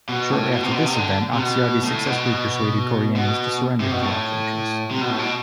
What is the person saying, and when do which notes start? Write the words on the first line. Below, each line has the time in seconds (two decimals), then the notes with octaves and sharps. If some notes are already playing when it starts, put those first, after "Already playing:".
Shortly after this event, Oxyartes successfully persuaded Chorienes to surrender his rock fortress.
0.09 B2
0.30 A2
0.52 B2
0.63 C3
0.74 B2
0.85 C3
0.96 D3
1.33 C3
1.40 B2
1.83 A2
2.06 B2
3.16 B2
3.80 C3
3.92 B2
4.03 A2
4.91 C3
5.01 B2
5.09 A2
5.18 B2